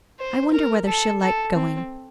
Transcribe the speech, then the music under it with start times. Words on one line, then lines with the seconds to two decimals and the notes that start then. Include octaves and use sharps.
I wonder whether she'll like going.
0.19 C5
0.53 A#4
0.86 A4
1.21 A4
1.55 C4